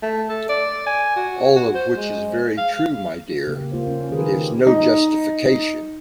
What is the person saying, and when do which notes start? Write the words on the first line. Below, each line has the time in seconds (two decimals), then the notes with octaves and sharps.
All of which is very true, my dear, but is no justification.
0.02 A3
0.29 A4
0.49 D5
0.86 G#5
1.16 F#4
1.56 F#4
1.74 C5
1.97 G#3
2.58 F5
3.47 C#3 A#3 G4
3.72 A#3 F4 C5
3.87 C#4
4.11 D#3 G#4 A#4 B4
4.34 G4
4.67 D#4